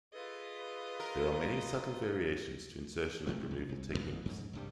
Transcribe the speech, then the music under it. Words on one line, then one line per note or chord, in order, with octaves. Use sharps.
There are many subtle variations to insertion and removal techniques.
F4 G#4 A4 B4 D#5
A#4
C#2 C3 F3 A3
B1
C2
D#1 A1 A2 B3
F2 G#2 C#3
C2 G2 G3